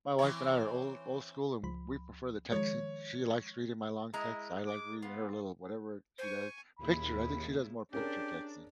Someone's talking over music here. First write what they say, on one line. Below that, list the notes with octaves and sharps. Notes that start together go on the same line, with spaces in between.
My wife and I are old old school, and we prefer the texting. She likes reading my long text. I like reading her a little whatever she does, picture, I think she does more picture texting.
E3 C4 C#5
C#2 F3 B5
D#3 F3 G#3 C#5
G#3 E4 A#4 A#5
D6
B3 F4
C5 G#5 C#6
D#2 A#2 C#3 E4 B5
C#4 D4 G4 G#4 A#4